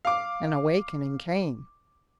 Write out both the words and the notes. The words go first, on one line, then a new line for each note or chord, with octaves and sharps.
An awakening came.
F5 D6